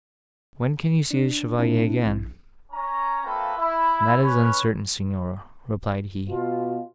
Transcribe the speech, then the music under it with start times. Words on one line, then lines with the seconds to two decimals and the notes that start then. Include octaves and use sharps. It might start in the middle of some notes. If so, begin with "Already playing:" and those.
When can you see the Chevalier again?' 'That is uncertain, Signora,' replied he.
1.11 D4
1.58 B2 C4 D4 E4
2.05 A#1
2.72 C#4 A#5
3.23 A3 A#3 C4 F4 A4 B4
3.57 E4
4.19 C#4 B4
6.28 B2 F4